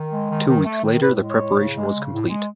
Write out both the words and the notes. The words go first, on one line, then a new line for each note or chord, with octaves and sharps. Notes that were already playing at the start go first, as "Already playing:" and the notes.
Two weeks later the preparation was complete.
Already playing: D#3
G#3
D#3
D#3
A3
D#3
A2 B4
G#3
C#5
A2
C#3
G#3
C#3
A2
G#3